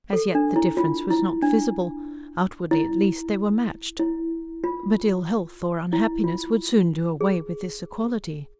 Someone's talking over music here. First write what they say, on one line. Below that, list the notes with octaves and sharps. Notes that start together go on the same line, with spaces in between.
As yet the difference was not visible; outwardly at least they were matched; but ill-health or unhappiness would soon do away with this equality.
A4
D4
E4
F4
E4
D4
E4
E4
F4
E4
F4
G#4